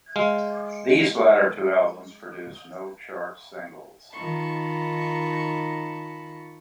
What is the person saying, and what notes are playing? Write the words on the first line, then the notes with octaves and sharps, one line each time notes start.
These latter two albums produced no chart singles.
G#3 F5
D#3 D#4 F4 A5 B5 C#6